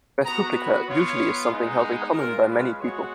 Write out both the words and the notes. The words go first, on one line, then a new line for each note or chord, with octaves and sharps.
"Res publica" usually is something held in common by many people.
B3 F#4 A#5
B4
B3 F4 C#5
G#3 B3 D#4
G#3 C#4 F4 A#4
B4
G#3 B3 F#4 C#5